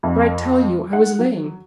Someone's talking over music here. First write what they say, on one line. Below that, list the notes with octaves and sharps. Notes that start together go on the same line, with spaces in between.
"But I tell you I was lame."
F2
F#5
F#3